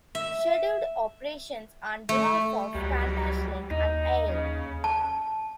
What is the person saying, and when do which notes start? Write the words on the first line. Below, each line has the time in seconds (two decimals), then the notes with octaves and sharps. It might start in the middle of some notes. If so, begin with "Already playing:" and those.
Scheduled operations on behalf of QantasLink and AaE.
0.15 E5
2.09 A3
2.75 C#2 F#3 G3
3.71 D#2 D#4
4.29 C#3
4.84 A5